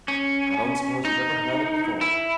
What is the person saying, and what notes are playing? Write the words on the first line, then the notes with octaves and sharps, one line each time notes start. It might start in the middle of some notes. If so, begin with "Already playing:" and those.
"I don't suppose you ever heard it before."
C#4
D#4
E4